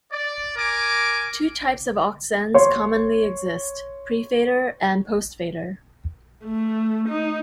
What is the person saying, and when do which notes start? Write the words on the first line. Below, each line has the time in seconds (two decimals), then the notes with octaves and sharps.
Two types of aux-sends commonly exist: pre-fader and post-fader.
0.11 D5
0.56 A#4 G#5 D6
2.54 C#5 C6
6.45 A3
7.09 D#4